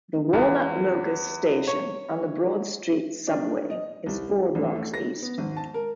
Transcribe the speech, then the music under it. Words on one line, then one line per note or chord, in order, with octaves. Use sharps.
The Walnut-Locust station on the Broad Street Subway is four blocks east.
E2
C#5
D4
D#5
C2
G3
A1
A3
A#6
B3
G#1
A5
A#4